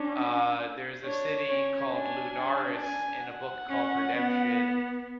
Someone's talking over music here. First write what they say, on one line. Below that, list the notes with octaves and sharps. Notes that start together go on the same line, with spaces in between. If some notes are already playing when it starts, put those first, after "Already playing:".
Uh, there's a city called Lunaris in a book called Redemption
Already playing: C#4 D4
D4 C#5
C#4 C#5
D4 G#5
G#5
F#5
C#4
B3